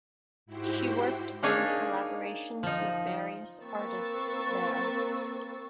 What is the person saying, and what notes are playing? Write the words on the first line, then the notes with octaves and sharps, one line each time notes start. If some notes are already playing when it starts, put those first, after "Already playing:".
She worked on collaborations with various artists there.
G#2 E4 F#4 G4 C5 G5
A#3 D4 D#4 G#4 C#5
F3 D#4
A#3 C4 B4 C#6 E6 A6